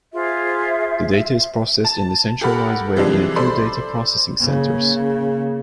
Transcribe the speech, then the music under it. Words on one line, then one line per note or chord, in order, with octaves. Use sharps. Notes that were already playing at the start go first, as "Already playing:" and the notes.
The data is processed in the centralized way in a few data processing centres.
F4 G#4 C5 E5
A5
G4 A4 A#4 F#5 B5
C3 E3 F3 G3 G#3 D4
A4 C5 D5 B5 C6
C#3 A#3